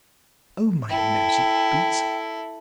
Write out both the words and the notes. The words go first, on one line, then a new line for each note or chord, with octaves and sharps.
O my noisy boots!
E4 A4 G5